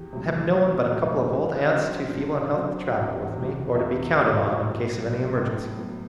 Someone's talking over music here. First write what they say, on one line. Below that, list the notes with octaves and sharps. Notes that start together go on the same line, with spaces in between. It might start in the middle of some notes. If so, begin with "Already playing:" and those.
I have no one but a couple of old aunts, too feeble in health to travel with me or to be counted on in case of any emergency.
Already playing: E2 G4
C3 F#3 A3
E2
C3 F#3 A3
G4
G2 F#4
F#3 C4
G2
F#3 C4
F#4
E2 E4
F#4
C3 G3 G4
F#4
E2 E5
F#4
C3 G3
F#4
A2
F#3 B3
A2
F#3 B3